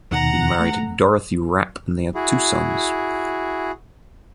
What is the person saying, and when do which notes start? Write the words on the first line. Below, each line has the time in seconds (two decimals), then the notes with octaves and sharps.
He married Dorothy Rapp and they had two sons.
0.11 D#2 B2 D#3 F#5 A#5
0.60 A3
2.15 E4 F#4 G#4